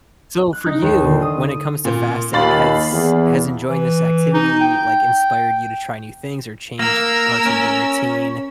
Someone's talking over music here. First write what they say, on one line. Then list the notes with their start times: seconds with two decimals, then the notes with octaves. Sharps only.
So for you, when it comes to fasting, has has enjoying this activity, like, inspired you to try new things, or change parts of your routine?
0.53 F#6
0.66 D#4
0.82 D#2
1.04 D3
1.22 D#6
1.85 A#2
2.33 D#2 F5 B5 A6
2.92 E2
3.69 E3
4.34 D#4
4.61 G5
6.79 A#3 A#4 E6
7.46 C#4